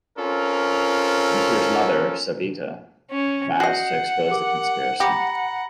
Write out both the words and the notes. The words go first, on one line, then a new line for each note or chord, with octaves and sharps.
Mihir's mother, Savita, vows to expose the conspiracy.
C4 C#4 F4 A4 A#4
C#4
F#4 D#5 F#5 G6 C7
G4 A#4 D6
G4 A#5 B5 A#6